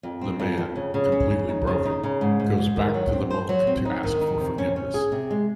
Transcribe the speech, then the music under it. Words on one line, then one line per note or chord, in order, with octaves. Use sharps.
The man, completely broken, goes back to the monk to ask for forgiveness.
F2
C4
F2
F2
C#3
C#3
C#4
C#3
D#4
C#3
D#4
C#3
G#2
G#2
G#2
D#3
F#3
C4
C5
F#3
C4
D#4
D#3
D#4
C3
C#4
C#4
G#4
C3
G#3